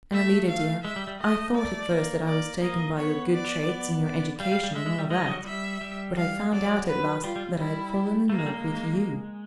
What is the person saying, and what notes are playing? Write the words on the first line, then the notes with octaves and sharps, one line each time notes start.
And, Alida, dear, I thought at first that I was taken by your good traits and your education and all that, but I found out at last that I had fallen in love with YOU.
A3 E5
F5
G#3 E5
G3
G3
A3 D#5
D5
A#3
D5
A#3 D#5
B3 C#5
D5
B3
D5
G3 F5
G3
G3
G#3 E5
G#3
G3
G#3 D#5
G3
F#3
G3 E5
G3
F5
F#3 D5
B4
G3 F4
G3
G3
E4
A3 A#3
G#3
G3
G#3